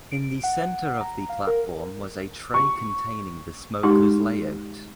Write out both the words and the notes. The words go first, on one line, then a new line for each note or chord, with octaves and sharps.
In the center of the platform was a tray containing the smoker's layout.
D7
F#5
A#5
F5
A#4
C#6
G#3 D#4 G4 C6